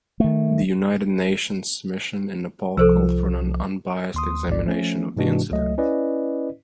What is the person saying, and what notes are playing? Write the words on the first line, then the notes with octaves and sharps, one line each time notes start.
The United Nations Mission in Nepal called for an unbiased examination of the incident.
D#3 A3
C2 F3 A4 C5 E6
D#2 C6 D#6
A1 D2 G#2 D5
F3 A3 C#4
G#2 C3 E3 G#3 D4 F#4
C#2 F#3 A3 D#5
C#4 E4 B4 D5 D#5